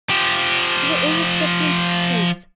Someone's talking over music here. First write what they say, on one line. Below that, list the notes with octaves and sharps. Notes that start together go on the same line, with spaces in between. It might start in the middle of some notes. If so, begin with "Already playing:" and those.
You were always getting into scrapes.
F3 G4